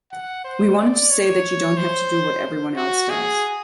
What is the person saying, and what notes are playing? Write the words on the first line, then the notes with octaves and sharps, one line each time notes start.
We wanted to say that you don't have to do what everyone else does.
F#5
C5
D5
C#5
C5
F#4
G#4